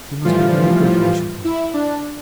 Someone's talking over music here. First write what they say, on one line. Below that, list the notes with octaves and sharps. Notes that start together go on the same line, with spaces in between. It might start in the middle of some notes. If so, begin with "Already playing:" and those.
He must be very good, I should think?'
A2 E3 F3 G3 F4
E4
D4